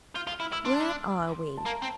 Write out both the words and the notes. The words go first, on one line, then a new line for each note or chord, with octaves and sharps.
'Where are we?
F4 G6
F4 F6
E4 F6
E4 E6
D4 C6
A5
A#3 A#5
C4